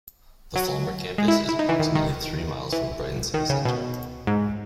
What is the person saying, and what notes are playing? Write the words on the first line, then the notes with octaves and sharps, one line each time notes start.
The Falmer campus is approximately three miles from Brighton city centre.
F#3
G#3
E4
E4
D#4
E3
D#3
D#3
E3
D#3
C#3
B2
G#2